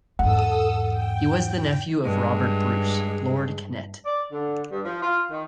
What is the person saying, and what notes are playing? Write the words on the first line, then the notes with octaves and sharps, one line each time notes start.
He was the nephew of Robert Bruce, Lord Kennet.
E2 G#2 A4 F#5 D#6 E6
G5
G2 G#3
D5
D3
G2
F3
F4
D#3